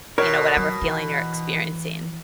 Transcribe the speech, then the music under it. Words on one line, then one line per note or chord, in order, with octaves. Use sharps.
you know, whatever feeling you're experiencing?
B2 A#4 C#5
F#3
E3